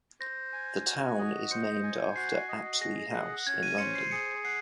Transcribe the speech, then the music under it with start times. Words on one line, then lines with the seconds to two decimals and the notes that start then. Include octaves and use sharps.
The town is named after Apsley House in London.
0.20 C5 A#6
0.53 G#5
0.86 F#4
1.18 D#5
1.51 C5 C#7
1.83 G#5
2.16 F#4 C7
2.48 D#5
2.80 G#4 A#6
3.13 F#5
3.47 C#4 G#6
3.63 D#7
3.78 C5 C#7
3.95 C7
4.11 G#4 C#7
4.44 F#5 C7